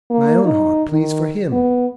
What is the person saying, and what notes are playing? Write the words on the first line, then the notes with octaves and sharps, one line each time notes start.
My own heart pleads for him.
A#3
D#4
D#3
B3